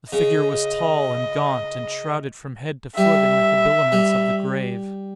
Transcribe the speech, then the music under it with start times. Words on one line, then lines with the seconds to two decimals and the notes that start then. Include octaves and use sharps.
The figure was tall and gaunt, and shrouded from head to foot in the habiliments of the grave.
0.13 C#3 D#5
2.97 G3 E5
3.92 G3